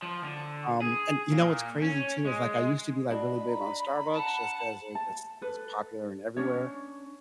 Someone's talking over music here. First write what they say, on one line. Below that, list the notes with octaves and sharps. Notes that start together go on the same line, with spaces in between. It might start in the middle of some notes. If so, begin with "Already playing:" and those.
um, and you know what's crazy too? Is, like, I used to be, like, really big on Starbucks just 'cause they're just just popular and everywhere,
F3
D3
G#4
A#2
C#4
G#3
D4 F#4 D#5 B5
A#5
F#5 A5
A5
A4 B4
C#4 D4 C#5